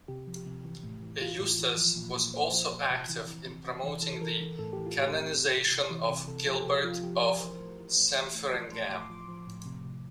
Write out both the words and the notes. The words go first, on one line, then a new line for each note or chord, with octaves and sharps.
Eustace was also active in promoting the canonization of Gilbert of Sempringham.
C3 G4
F3
G4
C3
E3
A2
E3
E3 F4
A2
E3
F3
A#2
A#2
A#2 C5
F3
A#2
C3
E3
E3
C3
C3
E3
E3 A4
E3 A#4
E3
A2 A4
E3 G4
F4
A2 G4
C3
C3
C3
C3
E3
C3
C3 A4
F3 A4
C3 G4
F3 F4
F3 G4
F3 A#4
E3 C5
A2
E3
A2
E3
A2
F3 A5
A2 C6
A2 D6
C6
F3 D6
F3
A2
C3
C3